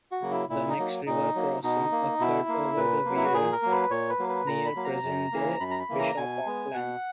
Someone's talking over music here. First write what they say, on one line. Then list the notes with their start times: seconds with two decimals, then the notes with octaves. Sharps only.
The next river crossing occurred over the Wear near present-day Bishop Auckland.
0.12 F#4
0.21 C#3 F#3 A#3
0.31 E4
0.49 A#2 E4
0.69 D#4
0.79 F#3 A#3
1.06 A#2 D#4
1.35 F#3 A#3
1.63 B2 D#4
1.92 A#3
2.20 B2 E4
2.48 A#3
2.77 A#2 B4
3.05 F#3 A#3
3.16 E4
3.24 F#4
3.33 A#2 G#4
3.52 A#4
3.62 F#3 A#3
3.71 B4
3.90 A#2 C#5
4.09 B4
4.19 F#3 A#3
4.29 B4
4.46 A#2 A#5
4.66 B5
4.76 F#3 A#3
4.84 A#5
5.04 F#2
5.33 C#3 E3 A#3
5.60 F#2 B5
5.71 A#5
5.79 B5
5.89 C#3 E3 A#3
5.99 A#5
6.17 B2 G#5
6.46 G#3 B3
6.73 B2 F#5